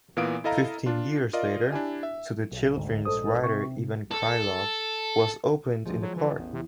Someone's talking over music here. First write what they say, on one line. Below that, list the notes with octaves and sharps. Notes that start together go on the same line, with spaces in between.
Fifteen years later, to the children's writer Ivan Krylov was opened in the park.
A#2 E3 B3 F5 D#6 D7
E4 A4 D#5 F5 A#5
D4 F4
F4 A#4 D5 D#5 F5
D4 E4 G4 G#5
E5
B1
G#1 D2 G#2
A#1 G#2 A4 C5 D#6
C3 C#6
C3
A4
D2 F3 G#3
F#3
E3
A1 E2
C3